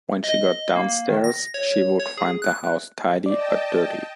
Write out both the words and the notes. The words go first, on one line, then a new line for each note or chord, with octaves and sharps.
When she got downstairs, she would find the house tidy, but dirty.
D#5
A#3
D#3
A#6
C#5
C#5
G#4
F#6
D5 D#5 G5 A5